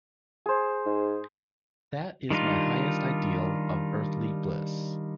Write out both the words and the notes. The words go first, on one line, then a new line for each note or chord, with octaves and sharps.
That is my highest ideal of earthly bliss.
G#4 C5
G#2
D#3 G3 D4 D#4 F4